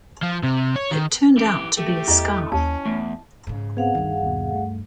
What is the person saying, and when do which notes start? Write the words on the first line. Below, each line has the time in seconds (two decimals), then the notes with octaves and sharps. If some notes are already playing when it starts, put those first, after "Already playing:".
It turned out to be a scarf.
0.22 F3
0.43 C3
0.76 C#5
0.91 D#3
1.37 E3 G4
1.77 A3 G4
2.08 E2 E4 D#5
2.52 D#2 C#4 A5
2.86 E2 A3
3.47 G#2 C#3
3.77 B3 C4 G#4 F5 F#5
3.95 D2 G2 D#3
4.22 D#2 B2
4.53 A3